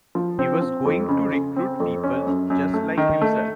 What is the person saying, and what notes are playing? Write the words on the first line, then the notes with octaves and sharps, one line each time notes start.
He was going to recruit people just like himself.
F3
C4
C4
F2
C#3
C#3
C4
F2
C#4
F#2
F#2
A3
D#3
A3